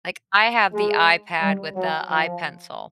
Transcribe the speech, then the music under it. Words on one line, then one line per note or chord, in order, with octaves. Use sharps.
like I have the iPad with the iPencil
G#3
G3
F#3
F3